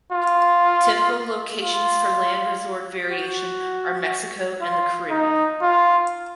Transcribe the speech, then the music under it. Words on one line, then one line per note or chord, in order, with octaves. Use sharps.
Typical locations for land resort vacation are Mexico and the Caribbean.
F4
F4
F#4
F4
D#4
F4